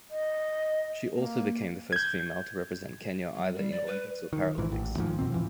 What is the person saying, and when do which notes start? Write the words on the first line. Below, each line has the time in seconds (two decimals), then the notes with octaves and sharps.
She also became the first female to represent Kenya either in Olympics or Paralympics.
0.11 D#5
1.16 A#3
1.93 G6 G#6
3.35 F#3
3.55 G3
3.72 D5
3.87 B4
4.33 D#3
4.58 A#1 G#2 E3
4.72 A1
4.97 D#2 G#2 F3
5.19 F2 B2 C4
5.32 A2 E3 F3